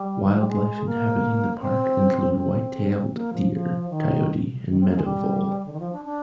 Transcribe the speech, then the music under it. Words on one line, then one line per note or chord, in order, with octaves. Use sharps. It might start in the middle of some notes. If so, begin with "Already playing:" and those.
Wildlife inhabiting the park include white-tailed deer, coyote, and meadow vole.
Already playing: G3
D#3
F3
G3
G#3
A#3
C4
C4
A#3
F3
F3
D#3
D#3
C4
A#3
G#3
G3
D3
D#3
F3
D4
D4